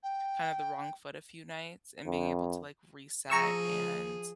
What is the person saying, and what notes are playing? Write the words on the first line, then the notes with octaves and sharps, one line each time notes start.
kind of the wrong foot a few nights and being able to, like, reset and
G5
F2
F3 G#4 A#5 C#6 E6